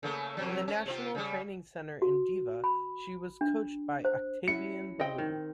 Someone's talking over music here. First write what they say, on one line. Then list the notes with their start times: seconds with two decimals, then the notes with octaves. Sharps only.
In the national training center in Deva, she was coached by Octavian Belu.
0.03 C#3 A3 A#3
0.37 F2 C3 F#3
0.68 C#4
0.86 C3 C4 F4
1.15 C#3 G3
2.02 F#4
2.64 B5
3.41 D4
4.05 C5
4.48 C#4 E4 F#4 C#7
5.00 C4 D#5 G5
5.18 D#3